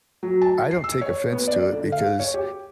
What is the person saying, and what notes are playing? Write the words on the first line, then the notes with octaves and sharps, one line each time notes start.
I don't take offense to it because,
F#3
A5
C7
E6
C#5
B3
D5
D3
F5
C#5
G4